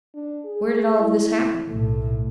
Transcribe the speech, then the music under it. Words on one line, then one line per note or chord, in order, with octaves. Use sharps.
"Where did all of this happen?"
D4
G#4
E4
B1 A2 A3